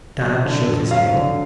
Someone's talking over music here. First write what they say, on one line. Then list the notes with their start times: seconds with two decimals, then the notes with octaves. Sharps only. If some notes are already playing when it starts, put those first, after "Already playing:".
Tad shook his head.
0.21 F#3
0.45 D3
0.68 F2
0.91 F#3 F5
1.14 D3